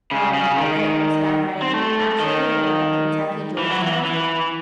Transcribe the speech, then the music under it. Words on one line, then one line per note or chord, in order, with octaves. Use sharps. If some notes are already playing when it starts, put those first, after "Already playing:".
Um, I went horseback riding actually in a Kentucky, Georgetown
C#3
C#3
D#3
C4
A3
D#3
E3
F#3
E3
E3